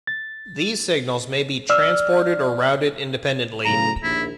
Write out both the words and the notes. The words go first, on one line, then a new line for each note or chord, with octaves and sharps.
These signals may be transported or routed independently.
A6
D5 E6 F6
B1 A2 C#3 A#5
A#1 D#2 E4